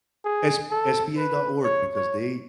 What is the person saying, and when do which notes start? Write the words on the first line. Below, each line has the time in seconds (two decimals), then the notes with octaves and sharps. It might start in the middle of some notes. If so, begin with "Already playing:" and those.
s sba.org because they
0.25 G#4
0.71 A4
1.17 B4
1.64 C#5
1.95 C#5